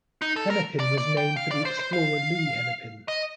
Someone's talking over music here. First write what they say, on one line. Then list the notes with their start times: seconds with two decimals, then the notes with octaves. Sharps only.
Hennepin was named for the explorer Louis Hennepin.
0.22 D#4
0.36 A4
0.50 A#4
0.80 D5
0.98 D5
1.17 G5
1.36 F5
1.51 D5
1.65 C5
1.79 C5
1.93 F5
3.08 D#5